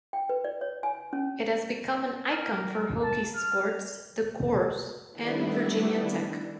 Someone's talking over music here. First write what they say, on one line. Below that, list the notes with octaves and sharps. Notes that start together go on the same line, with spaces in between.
It has become an icon for Hokies sports, the Corps, and Virginia Tech.
G5
B4
D5
C#5
G#5
C#4
A#4
A5
F6
D#3 G3 A3 B3 D4 E4